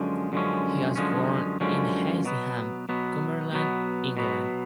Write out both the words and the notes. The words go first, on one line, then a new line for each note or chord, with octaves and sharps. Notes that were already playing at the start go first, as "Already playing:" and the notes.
He was born in Hensingham, Cumberland, England.
Already playing: F#2 D3 F3 G#3 C#4
F#2 D3 F3 G#3 C#4
F#2 D3 F3 G#3 C#4
F#2 D3 F3 G#3 C#4
B2 F#3 B3
B2 F#3 B3
B2 F#3 B3
B2 F#3 B3